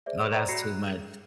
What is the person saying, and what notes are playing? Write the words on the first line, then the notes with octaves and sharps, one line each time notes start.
No, that's too much
G#4 C5 D5 E5
C5 D5 D#5 G5 A#5
F#4 A#5 B5 A#6 C7 C#7
F#6
G#4